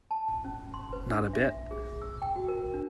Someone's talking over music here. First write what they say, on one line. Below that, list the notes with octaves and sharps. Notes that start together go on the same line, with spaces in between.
Not a bit.
A5
C#4
C6
B4
D4
E5
G#4
E6
G5
F#4
A#4
D4